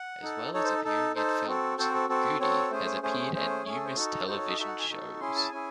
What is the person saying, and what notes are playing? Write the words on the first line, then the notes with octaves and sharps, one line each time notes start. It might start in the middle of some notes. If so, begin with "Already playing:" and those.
As well as appearing in films, Goode has appeared in numerous television shows.
Already playing: F#5
D#4 A4
D#4 A4 C#5
C5
D#4 A4
D#4 A4 C5
C4 F#4 A4
C4 F#4 A4 C5
A4
C4 F#4 A4
C4 F#4 A4 C#5
A3 C#4 G#4 C5
A3 C#4 G#4 C5
A3 C#4 G#4 C5
A3 C#4 G#4 C#5
A4
C5
D#4 F#4 A4
D#4 F#4 A4 C5
C#5
D#5
D#4 F#4 A4 E5
F#5
G#5
D#4 F#4 A4
C#4 E4 G#4 C6
A5
C#4 E4 G#4 G#5